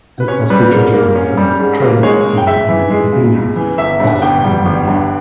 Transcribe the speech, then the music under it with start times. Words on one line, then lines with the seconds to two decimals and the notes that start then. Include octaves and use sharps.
It was featured during the train scene in the beginning of the movie.
0.20 B4
0.28 C#4 C#5
0.50 G3 B4
0.72 G#2 A#4
0.93 A#3 A#4
1.15 C#4
1.37 G3
1.59 G#2
1.81 A#3
2.03 G#3 C#5
2.25 C#3
2.37 G5
2.46 C#2 E5
2.69 E3
2.90 G#3
3.12 C#3
3.35 C#2
3.56 E3
3.78 G1 E5
4.00 G2
4.22 G1 G5
4.44 G3
4.66 G1
4.88 G2